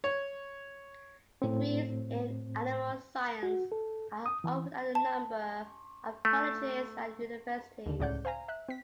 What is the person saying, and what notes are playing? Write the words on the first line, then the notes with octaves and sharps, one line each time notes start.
Degrees in Animal Science are offered at a number of colleges and universities.
C#5
A2 C4
F#4
A4
D#6
E3
A5
A3
D#2 D3
C#2 A2 D5 F#5 G6
C5 F5 G#5 A#5
E5 F#6
C4 B6